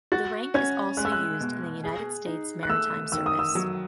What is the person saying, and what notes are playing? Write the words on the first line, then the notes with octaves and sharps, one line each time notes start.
The rank is also used in the United States Maritime Service.
F#4 A6
C#4 G#6
G#3 F#6
E6
F#6
B2
G#4
D#4
F#6
A3 E6
D#3 E6
D#6
E6
F#3